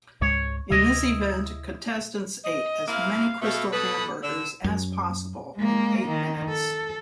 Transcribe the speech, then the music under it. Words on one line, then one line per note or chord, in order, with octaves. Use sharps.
In this event, contestants ate as many Krystal hamburgers as possible in eight minutes.
C#2 G#2 G#3 C#5
D2 C3 E3 E4 D#5
D#5
C3 A#3 E4 F5
B2 A3 F5
B2 A4 B4 D#6
D3 E6
F#2
G#3 A#3
D#3
A4